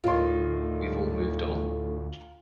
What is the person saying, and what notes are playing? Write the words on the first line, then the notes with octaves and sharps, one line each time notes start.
We've all moved on.
D2 A2 D#3 F4 C6